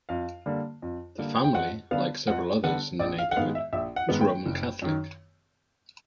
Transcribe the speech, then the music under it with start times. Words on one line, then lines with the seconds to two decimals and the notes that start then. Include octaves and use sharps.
The family, like several others in the neighbourhood was Roman Catholic.
0.09 F2 F5
0.46 D3 G3 A#3
0.82 F2
1.18 D3 G3 A#3
1.44 G5
1.54 F2 F#5
1.91 D3 G3 B3 F5
2.27 F2 F#5
2.63 D3 G3 B3 F#5
2.99 A#1 D5
3.19 F5
3.31 F#5
3.36 G#2 D#3 G#3 B3 F5
3.55 E5
3.73 A#1 E5
3.96 F#5
4.09 G#2 D#3 G#3 B3
4.21 G5
4.46 F#1
4.82 F#2 D#3